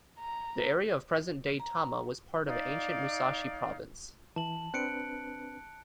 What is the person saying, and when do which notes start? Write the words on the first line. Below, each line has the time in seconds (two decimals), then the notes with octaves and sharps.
The area of present-day Tama was part of ancient Musashi Province.
0.19 A#5
1.60 A#5
2.46 D#4 D5 F5
4.36 E3 A5 F#7
4.74 C4 D4 B4 F#6 C#7 D7